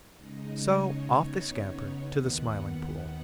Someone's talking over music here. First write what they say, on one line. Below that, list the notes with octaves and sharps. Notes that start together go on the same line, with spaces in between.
So off they scampered to the Smiling Pool.
C#3 G#3 D#4 D#5
C#5
C#3 B3 D#4
D#2 D#3 B3 F#5